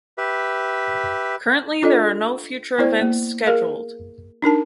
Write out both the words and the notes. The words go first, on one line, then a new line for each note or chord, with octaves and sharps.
Currently there are no future events scheduled.
G4 B4 E5
D4 F4 A4 D5 D#5
B3 E4 C5 D5
A#3
G#4 A#4 F5
D4 D#4 A#4 A5